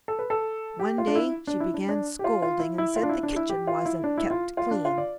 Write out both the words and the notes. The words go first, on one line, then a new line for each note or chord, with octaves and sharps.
One day she began scolding and said the kitchen wasn't kept clean.
A4
B4
A4
G4
F4
D4
E4
D4
E4
D4
D4
G4
F4
F4
E4
E4
F4
D4
E4
D4
E4
G4
F4
E4
D4
E4
F4
F4
D4
F4
D5